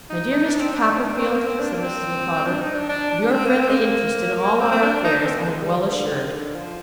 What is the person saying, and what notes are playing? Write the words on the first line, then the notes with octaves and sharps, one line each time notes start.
'My dear Mr. Copperfield,' said Mrs. Micawber, 'of your friendly interest in all our affairs, I am well assured.
D#4
D#4
D4
C4
D4
D#4
C4
D4
C4
A#3
C4
D4
A#3
C4
D4
D#4
D4
D4
D4
D4
C4
A#3
C4
G#3
A#3
C4
C4
D4
D#4
D4
C4
A#3
G#3
G3
D3
D#3
D3
F3